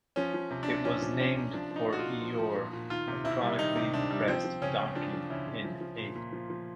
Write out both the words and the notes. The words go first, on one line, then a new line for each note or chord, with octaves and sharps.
It was named for Eeyore, a chronically depressed donkey in A.
F3 C#4
F3
C3
D4
C3
F3 C#4
F3
C3 C#4
C3
F3 D4
F3 D#4
A#2 F#4
F4
A#2
F3
F3
A#2
A#2
D#3 F4
C3
C3 E4
G3
D#3 D#4
C3
C3 D4
G3
F3 C4
F3
C#3 C#4
C#3
F3 D4
F3
C#3 E4
C#3
F3
F3
A#2
A#2
F3
F3